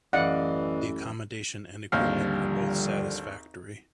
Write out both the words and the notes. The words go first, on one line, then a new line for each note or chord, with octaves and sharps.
The accommodation and equipment are both satisfactory.
A1 F#2 E3 D5 D#5 F5 F#5
G#1 D#2 D3 F3 G3 F5